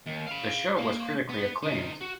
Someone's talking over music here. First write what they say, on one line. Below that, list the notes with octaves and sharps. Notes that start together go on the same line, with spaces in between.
The show was critically acclaimed.
D#2
F5 B5
A#3 F5
B3
D3 D#4
F#4